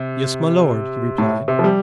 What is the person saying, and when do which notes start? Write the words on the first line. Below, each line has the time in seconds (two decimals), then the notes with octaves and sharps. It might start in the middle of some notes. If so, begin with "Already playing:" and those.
"Yes, my lord," he replied.
Already playing: C3
1.18 A2
1.48 C3
1.59 F3
1.64 G3